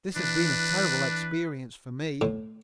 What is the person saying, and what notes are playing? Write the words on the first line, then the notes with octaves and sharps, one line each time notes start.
"This has been a terrible experience for me."
E3 D4 B4
A2